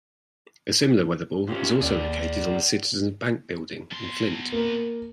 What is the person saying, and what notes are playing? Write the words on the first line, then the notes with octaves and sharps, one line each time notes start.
A similar weatherball is also located on the Citizen's Bank building in Flint.
D2 C#4 F4 G4
D#2 G#4 D5
B2 C6
A#3